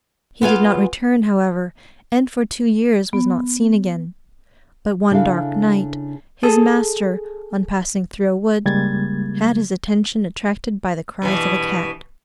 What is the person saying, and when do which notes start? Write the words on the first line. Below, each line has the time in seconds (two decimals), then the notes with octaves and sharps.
He did not return, however, and for two years was not seen again; but one dark night, his master, on passing through a wood, had his attention attracted by the cries of a cat.
0.42 B3 F4 G#4 F5
3.13 B3
5.11 C#3 D4 E4 A4 F5
6.43 G#4 A4
8.65 C#3 G3 G#3 A#3 G#6 A6
11.22 G2 B2 E3